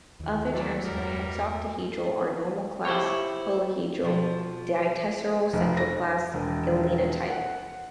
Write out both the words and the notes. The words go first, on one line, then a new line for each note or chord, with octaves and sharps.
Other terms for hexoctahedral are: normal class, holohedral, ditesseral central class, galena type.
D#2 E3
F2 F#3 A3 D4
E2 G2 G3 G#3 A#4
E4 G4 C5 C#5
B2 F3
F1
A#6
E1
F#5